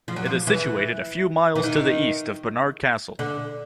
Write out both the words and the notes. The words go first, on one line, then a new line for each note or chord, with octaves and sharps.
It is situated a few miles to the east of Barnard Castle.
F3
F#3
F3
E3
E3
D#3
D3